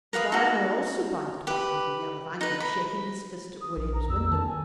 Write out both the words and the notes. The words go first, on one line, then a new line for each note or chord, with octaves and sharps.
The gardener also bounced back with a yell of anger, shaking his fist at William's window.
A#4 B4 F5 D#6
D#4 F#4
G4 B4
D#4 B4
B5
D#6
A#1 A#4
A#5
F2 E6
D#3 A5
G#5